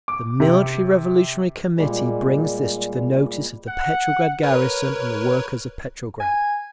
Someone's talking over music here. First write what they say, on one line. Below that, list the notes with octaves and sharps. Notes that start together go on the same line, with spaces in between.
The Military Revolutionary Committee brings this to the notice of the Petrograd garrison and the workers of Petrograd.
D6
C3
A#2 G3 G#3
F#5
A#4 B4 C#5
G#5